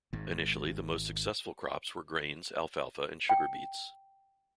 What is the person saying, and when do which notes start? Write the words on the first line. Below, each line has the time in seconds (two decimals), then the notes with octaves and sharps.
Initially, the most successful crops were grains, alfalfa and sugar beets.
0.13 G#1 G#2
3.29 G5